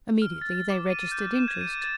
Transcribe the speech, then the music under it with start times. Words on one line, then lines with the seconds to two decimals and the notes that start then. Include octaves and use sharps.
Immediately, they registered interest.
0.22 F6
0.41 A6
0.70 D6
0.90 D#7
1.12 G6
1.36 E7
1.48 G#6
1.61 D#7
1.82 A6